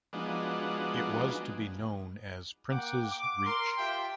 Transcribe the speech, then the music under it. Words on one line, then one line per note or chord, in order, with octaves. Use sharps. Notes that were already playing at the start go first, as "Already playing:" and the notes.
It was to be known as "Princes Reach".
F3 G#3 B3 D4 D#4 F#4
A#3 F#5 G5 D6
D6
A#4 C6
F4 G4 E5 G5